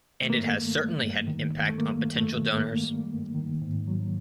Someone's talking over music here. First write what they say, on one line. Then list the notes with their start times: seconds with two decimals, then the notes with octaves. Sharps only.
And it has certainly had an impact on potential donors.
0.22 D#3 A3
0.30 A#3
0.38 A3
0.49 G2
0.74 G3
1.01 G2
1.27 D#3
1.52 G2
1.69 A3
1.78 G3 A#3
2.05 G2
2.18 A3
2.30 D#3
2.56 G2 A#3
2.83 G3
3.10 G2
3.35 D#3
3.61 G#2
3.88 F#3